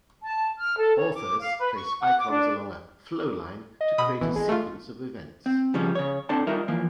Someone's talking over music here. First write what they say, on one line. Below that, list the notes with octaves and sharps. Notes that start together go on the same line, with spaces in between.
"Authors" placed icons along a "flowline" to create a sequence of events.
A5
F6
A4
C#5
D6
F5
B4
C#6
F#5
D6
D4
D#5
B2 B5 D#6
A1 B2 E3
A1 G#3
A3 F4
C4
C#3 F3 G3 C#4
C#3 C#5
C4 D4 A4 C5 D5 A5
G3 D#4 F4 A#4 E5
E3 F3 A#3